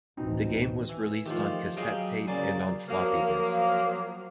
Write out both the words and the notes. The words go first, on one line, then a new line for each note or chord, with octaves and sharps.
The game was released on cassette tape and on floppy disk.
A1 D2 B2 E3 C4 D#4
E3
D#3 F3 A3 G4
F#3 G4 G#4 D#5 F5 G5
C#3 F#3 A#3 G#4 D5
F3 F#3 A#3